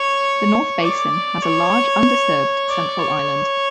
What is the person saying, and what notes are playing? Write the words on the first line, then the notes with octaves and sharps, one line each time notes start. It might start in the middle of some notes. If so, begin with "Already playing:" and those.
The North Basin has a large, undisturbed, central island.
Already playing: C#5
D5
C#5
D5
C#5